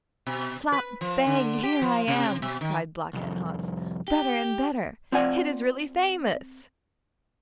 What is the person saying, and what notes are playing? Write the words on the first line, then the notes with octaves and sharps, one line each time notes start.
'Slap! bang! here I am!' cried Blockhead-Hans; 'better and better--it is really famous!'
B2
B4
F3
D3
G4
F3
C3
B2
D#3
C2 F2
G4
C4 F4 D5 F#5 G#5